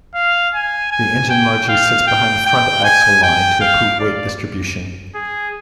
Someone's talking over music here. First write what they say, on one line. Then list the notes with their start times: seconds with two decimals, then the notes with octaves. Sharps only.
The engine largely sits behind the front-axle line to improve weight distribution.
0.15 F5
0.54 G#5
0.92 G#5
1.30 G5
1.69 F5
2.07 G5
2.47 G5
2.84 G#5
3.23 G5
3.61 F5
4.00 D5
5.15 G#4